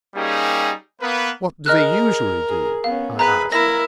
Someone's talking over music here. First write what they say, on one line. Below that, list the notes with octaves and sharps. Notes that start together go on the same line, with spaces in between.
"What do they usually do?" I asked.
G3 A#3 C#4 D#4 G4 G#4
A#3 B3 B4
G#4 A#4 D#5 F6 F#6
G#4
B3 C#4 F5
G#4 B4 A#5 F#6
A#3 E4 A#4 A#6